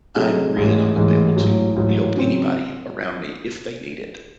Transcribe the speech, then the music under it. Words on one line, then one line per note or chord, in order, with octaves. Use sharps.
I'm really not gonna be able to help anybody around me if they need it.
C3 F#3 A3 D#4 G#4
A1 G#2 E3 G#3
A1 G#2 E3 G#3
A1 G#2 F#3
A1 G#2 F#3
C#3 F#3 C4